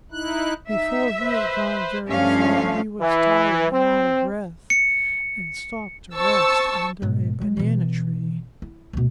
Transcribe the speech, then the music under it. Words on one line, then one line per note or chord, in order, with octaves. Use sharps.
Before he had gone very far he was tired and out of breath, and stopped to rest under a banana tree.
D#4 E4 F#6
D#4 E5
B4 C5
G2 F3 A3 C#4 F5
E3
C4
C#7
C5 A5 C#6 E6
G#2 B2
G#3
B2 E3
E4
D2 B2